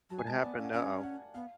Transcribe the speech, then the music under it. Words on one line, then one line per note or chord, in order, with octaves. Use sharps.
What happened? Uh-oh.
F#3 A5
G#5
G#3 A5
B3 D5
C#4 F5
F#5
C#4 G#5
F#5
B3 F5